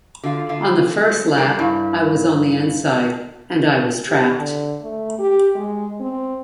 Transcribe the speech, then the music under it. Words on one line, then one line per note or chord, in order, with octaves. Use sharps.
On the first lap, I was on the inside, and I was trapped.
D3 F4 F#4
D3 F4
G3 A#3
G2 E4 F5
G4
D3
A3
G4
G#3
C4